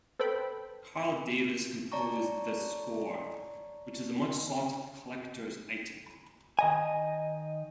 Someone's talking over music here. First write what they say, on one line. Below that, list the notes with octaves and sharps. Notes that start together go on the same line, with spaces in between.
Carl Davis composed the score, which is a much-sought collector's item.
A4 B4 C5 G5 B5
C#5 D5 A5 A#5 C#6
D#3 D#5 G#5